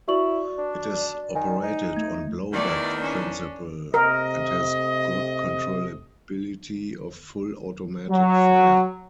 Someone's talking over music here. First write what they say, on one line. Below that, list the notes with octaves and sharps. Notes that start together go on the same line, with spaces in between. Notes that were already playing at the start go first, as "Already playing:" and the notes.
It is operated on blowback principle and has good controllability of full automatic fire.
E4 F#4 D5 C#6 F#7
D4
D#3 G#5
D#4
A3 G#6
E2 D#3 A3 D5
C#4 D4
C3 A3 A#4 D#5
F#3